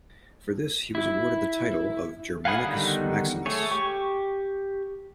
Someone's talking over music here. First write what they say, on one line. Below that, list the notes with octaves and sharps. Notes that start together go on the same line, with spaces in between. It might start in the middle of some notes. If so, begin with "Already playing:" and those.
For this he was awarded the title of Germanicus Maximus.
E4
F5 F#5 G#5 B5 D#6
D3 D#3 G3 B3 D#4
A3 G#4 C#5
G4 C#6